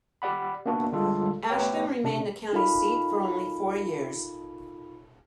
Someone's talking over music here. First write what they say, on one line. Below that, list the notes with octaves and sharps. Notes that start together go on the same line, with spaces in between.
Ashton remained the county seat for only four years.
G4 D5 F#5 B5
A#3 B3 D4 F#4
D3 G3 G#3 F4 A4
A3 B3 G4 B4 C#5 G5
C3 D4
D#4 F4 A4 A#4 F5 B5